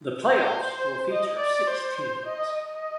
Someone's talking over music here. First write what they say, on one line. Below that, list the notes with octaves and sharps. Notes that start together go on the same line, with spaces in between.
The playoffs will feature six teams.
C5
D#5
D5
C5
D#5
D#5